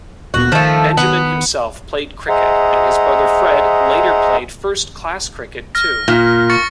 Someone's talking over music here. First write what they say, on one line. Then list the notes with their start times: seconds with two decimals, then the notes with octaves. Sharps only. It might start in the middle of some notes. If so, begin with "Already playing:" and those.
Benjamin himself played cricket, and his brother Fred later played first-class cricket too.
0.34 D1 A#2 B3 F#4
0.52 D#3 F3 A3
0.97 B3
2.29 G#4 C5 D#5 E5 F#5 A#5
5.75 F6 A#6
6.08 A#2
6.50 C#6 A6 C#7